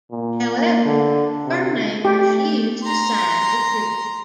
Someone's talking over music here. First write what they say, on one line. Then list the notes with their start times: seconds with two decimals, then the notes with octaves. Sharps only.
However, Ferdinand refused to sign the treaty.
0.11 A#2
0.54 A#3
0.85 D3
1.45 C3
2.05 A3 G4
2.83 A#5 C6